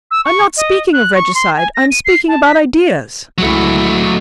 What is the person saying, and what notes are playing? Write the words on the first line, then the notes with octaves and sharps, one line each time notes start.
"I am not speaking of regicide, I am speaking about ideas."
E6
C#6
D#5
F#6
C#6
C6
G#5
A#6
D#7
C7
A5
B6
C#2 F#3 A3 E4